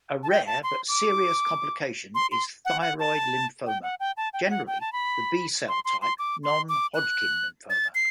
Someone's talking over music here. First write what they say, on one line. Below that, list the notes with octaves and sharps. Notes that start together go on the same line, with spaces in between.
A rare but serious complication is thyroid lymphoma, generally the B-cell type, non-Hodgkin lymphoma.
A5
G5
A5
C6
D6
C6
C6
F#5
F#5
A5
G5
F#5
G5
A5
G5
G5
F#5
G5
A5
B5
C6
C6
C6
D6
C6
D6
F#6
A6
C7